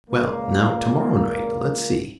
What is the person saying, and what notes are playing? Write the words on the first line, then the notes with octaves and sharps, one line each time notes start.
Well, now, to-morrow night, let's see.
C#2 A#2 A#3